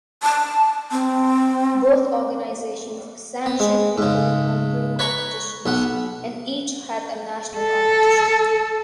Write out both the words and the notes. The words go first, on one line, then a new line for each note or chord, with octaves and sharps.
Both organizations sanctioned local homebrew competitions, and each had a national competition.
A5
C4
B3
G#3
G#2 C#3
B4 C#5 A#5 C#6
B1 B3 F#5
A4